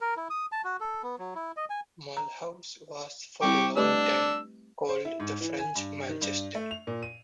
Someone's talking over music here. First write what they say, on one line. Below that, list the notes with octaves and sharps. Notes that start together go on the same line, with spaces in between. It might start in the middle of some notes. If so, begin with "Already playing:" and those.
Mulhouse was for a long time called the French Manchester.
A#4
E4
D#6
A5
F#4
A4
B3
F#3
E4
D#5
G#5
A#5
G3 C4 E4 G5 C#6 D6
A3 D4 G4 B4 E6
C5
E4
G#2
E3
G#5
G2
D#3
G2
A3
F7
A#2
D#7